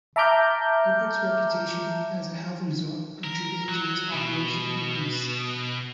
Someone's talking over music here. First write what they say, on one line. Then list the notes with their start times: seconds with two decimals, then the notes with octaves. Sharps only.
Hubbard's reputation as a health resort contributed to its population increase.
0.16 E5 A5 A#5 D6 F6 G6
3.24 A#4
3.69 F#3
4.13 B2